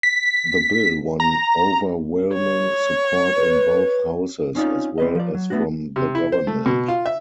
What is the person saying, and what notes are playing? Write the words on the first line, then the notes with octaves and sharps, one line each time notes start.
The Bill won overwhelming support in both Houses as well as from the Government.
B6
A#5
C#5
B4
C4 C#4 D#4 F4 D5
C4 B4 D#5
F3 D5
F#3
A3 B3 D4 F#4
C3
E4
C5
A3
B2
F4
E5